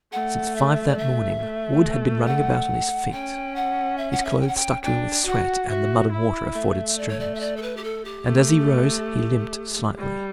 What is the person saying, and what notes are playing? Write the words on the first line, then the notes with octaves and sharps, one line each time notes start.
Since five that morning Wood had been running about on his feet, his clothes stuck to him with sweat and the mud and water of forded streams, and as he rose he limped slightly.
A3 F#5
E5
D5
E5
A3
F#5
C#4 G5
F#5
E5
F#5
E5
G5
F#5
G5
D4 G5
F#4 F#5
F#4 E5
E4
A3 E5
D5
C#5
D5
E5
D5
A4
B4
G4
A4
G4
A3
G3